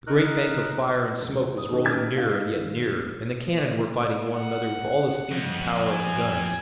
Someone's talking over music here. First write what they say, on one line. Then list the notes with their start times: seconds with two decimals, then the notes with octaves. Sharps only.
The great bank of fire and smoke was rolling nearer and yet nearer, and the cannon were fighting one another with all the speed and power of the gunners.
0.07 D#4 A#4 F#6
1.21 E1
1.57 D#6
1.72 D#3 D#4 F#4 G4 A4 C5
1.84 E6 F6 G6 G#6 B6 E7
2.15 A#3 D#4 F5
2.58 D#3
4.36 F#5
5.31 F2
5.89 G#5 G#6